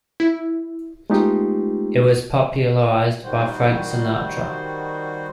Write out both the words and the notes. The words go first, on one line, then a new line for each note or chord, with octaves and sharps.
It was popularized by Frank Sinatra.
E4
G#3 A3 B3 D#4 F4 G4
D#3 G3 F#4 C5